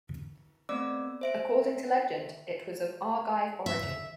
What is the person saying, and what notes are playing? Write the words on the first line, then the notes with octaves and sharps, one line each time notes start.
According to legend, it was of Argive origin.
A3 B3 C4 D5 D6 E6
C5 E5 D7
E5